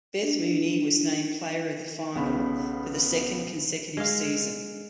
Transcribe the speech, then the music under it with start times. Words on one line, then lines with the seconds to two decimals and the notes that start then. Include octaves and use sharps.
Beth Mooney was named Player of the Final for the second consecutive season.
0.22 D4
2.15 B1 C#3 B3 B5
3.97 G#3 F5